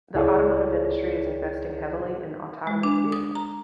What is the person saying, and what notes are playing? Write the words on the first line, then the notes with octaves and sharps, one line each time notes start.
The automotive industry is investing heavily in autonomous vehicles.
C#2 E4 G#4 A4 C#5 D5
G#3
D4
D#6
A#5